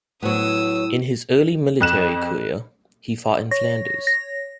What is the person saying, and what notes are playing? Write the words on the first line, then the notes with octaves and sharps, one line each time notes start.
In his early military career, he fought in Flanders.
A2 F#3 B3 D#6 E6
F2 F#6 E7
C#5 A#6
A#6